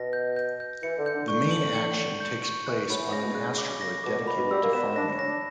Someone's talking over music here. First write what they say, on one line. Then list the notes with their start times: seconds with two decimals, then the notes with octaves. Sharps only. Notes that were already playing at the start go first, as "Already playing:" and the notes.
The main action takes place on an asteroid dedicated to farming.
Already playing: B2 A#6
0.13 G6
0.36 G6
0.60 G6
0.82 E3 C#7
0.98 D3
1.06 G6
1.14 D3
1.28 D3 C#6
1.51 F#7
1.75 C#7
1.97 C#7
2.20 G6
2.44 C#6
2.66 E3 F#6
2.89 F#3 B5
2.97 E3
3.12 C#3 A#6
3.22 B2
3.32 C#3 F#6
3.58 D6
3.81 A#6
4.04 B2 D6
4.19 A#2
4.28 B5
4.36 B2
4.51 G3 E6
4.62 A#3
4.73 B3 E7
4.96 D4 A#6
5.12 C#4
5.19 A#6
5.28 D4